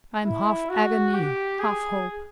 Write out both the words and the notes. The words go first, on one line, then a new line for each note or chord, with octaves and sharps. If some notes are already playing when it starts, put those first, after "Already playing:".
I am half agony, half hope.
E4
F#4
G4
G#4